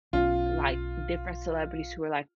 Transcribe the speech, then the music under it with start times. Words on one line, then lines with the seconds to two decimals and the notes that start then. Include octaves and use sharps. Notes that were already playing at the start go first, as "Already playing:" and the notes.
like different celebrities who were, like,
0.13 B1 C#4 F4